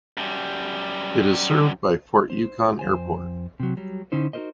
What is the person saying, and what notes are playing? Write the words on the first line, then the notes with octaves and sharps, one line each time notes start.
It is served by Fort Yukon Airport.
F#2 G3
C5
F2 C5 G#5
C3 F#3
F#3 G3
D3 C#4 D#4 E4 C5
D#4 F#4 G4 A#4 C5 D#5